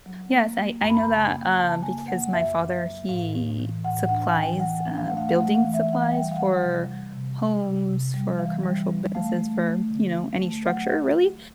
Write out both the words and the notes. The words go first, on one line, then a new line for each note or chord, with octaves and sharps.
Yes, I I know that, um, because my father, he supplies, uh, building supplies for homes, for commercial businesses, for, you know, any structure really,
F#3
A#3
A#3
F#2 A#5
B5
A#5
C#3
A#3
C#3 A5
A#3 G#5
A#3 F#5
F#2 E5
F#2
F#3
A2 F5
A2
E3
A2 F#5
D4 F#5
G#5
E3 G5
E3 F#5
D4
F5
A3 F#5
F5
F5
A3 F#5
F5
E3
E5
E3
F#5
G3 G5
F5
G3 F#5
C3
G3
C3
C3
C3
C3
G3
E3 F5
G3
G3
A3 F5
A3
A3
D3
F#3
A3
F#3 F#5